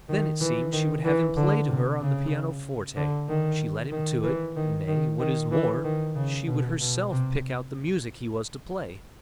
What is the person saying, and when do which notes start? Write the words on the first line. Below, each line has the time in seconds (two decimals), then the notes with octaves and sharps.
Then it seemed she would have him play to her on the pianoforte: she led him to it, nay, what is more, she would herself pick out the music he was to play.
0.09 D#3
0.41 E3
0.73 D#3
1.05 E3
1.37 D3
1.69 C3
2.01 C#3
2.97 D3
3.29 D#3
3.92 D#3
4.24 E3
4.56 D#3
4.88 D#3
5.20 D#3
5.52 E3
5.84 D#3
6.16 C#3
6.47 B2
6.80 B2
7.11 C3